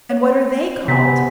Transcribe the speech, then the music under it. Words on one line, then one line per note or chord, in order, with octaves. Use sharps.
"And what are they called?"
C#5
C3 B3 G#5 A#5 B6